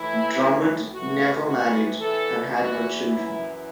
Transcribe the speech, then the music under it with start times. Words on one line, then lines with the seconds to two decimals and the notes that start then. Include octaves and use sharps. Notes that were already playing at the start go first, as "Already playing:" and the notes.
Drummond never married and had no children.
Already playing: A2 E3 E4
0.91 A2 E3 F#4
1.45 F#4
1.99 E2 E3 A4
2.52 F#4
3.07 F#2 E3 E4